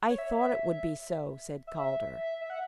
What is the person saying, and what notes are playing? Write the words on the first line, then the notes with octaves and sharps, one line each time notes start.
"I thought it would be so," said Calder.
C#5
E5
E5
E5
F#5